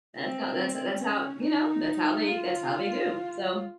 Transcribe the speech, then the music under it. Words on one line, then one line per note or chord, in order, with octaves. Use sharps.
That's how that's that's how, you know, that's how they that's how they do, so,
C4
C#4
D#4
F4